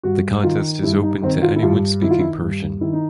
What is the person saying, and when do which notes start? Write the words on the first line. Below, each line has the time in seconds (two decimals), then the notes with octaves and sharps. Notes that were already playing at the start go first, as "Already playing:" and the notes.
The contest is open to anyone speaking Persian.
0.03 G2 F#4
0.43 D#3 F4
0.83 G2 E4
1.03 D#4
1.22 D#3 C4
1.42 F4
1.56 E4
1.62 G2 F4
2.02 D#3 E4
2.11 F4
2.20 E4
2.42 G2
2.81 D#3 E4
2.93 D#4